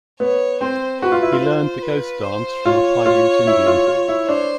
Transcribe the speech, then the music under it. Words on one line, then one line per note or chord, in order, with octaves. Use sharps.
He learned the Ghost Dance from a Paiute Indian.
B3 C#5
C4 C5
F#4 B4
F4
E4
F4
C5
B4
C5
F4 C#5
F4
E4
F4
F4
E4
D4 C5